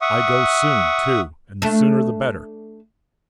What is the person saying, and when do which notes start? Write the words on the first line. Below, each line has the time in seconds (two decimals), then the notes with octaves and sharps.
I go soon, too, and the sooner the better.
0.02 E5 F#5 C#6 D#6
1.62 A3 D4